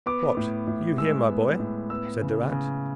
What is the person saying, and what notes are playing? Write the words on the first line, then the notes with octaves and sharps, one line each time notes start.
"What! you here, my boy?" said the rat.
B3 D6
A2
A2
G#3 E6
B3
A2
B3 E6
C#3
C#3